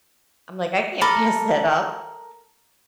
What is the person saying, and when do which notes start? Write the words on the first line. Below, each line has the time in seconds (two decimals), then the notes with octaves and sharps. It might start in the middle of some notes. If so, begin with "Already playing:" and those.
I'm like, "I can't pass that up."
1.01 A4 A#4 B5 D6